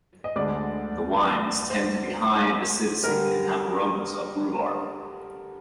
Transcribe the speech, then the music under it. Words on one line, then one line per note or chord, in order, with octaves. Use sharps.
The wines tend to be high in acidity and have aromas of rhubarb.
D#5
D2 D3 G#3 D4 D5
C5
D3 G3 A#4